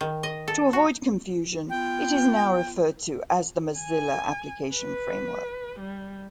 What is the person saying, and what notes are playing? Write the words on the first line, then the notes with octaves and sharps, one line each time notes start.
To avoid confusion, it is now referred to as the Mozilla application framework.
D#3
D#5
A4
F#4
B3 F4 G5
G#5
B4
G3